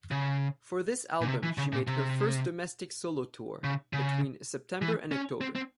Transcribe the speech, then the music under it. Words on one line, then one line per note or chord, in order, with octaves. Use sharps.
For this album she made her first domestic solo tour between September and October.
C#3
A#2
C3
E3
C#3
A#2
C3
C#3
C#3
E3
C#4
C4
C4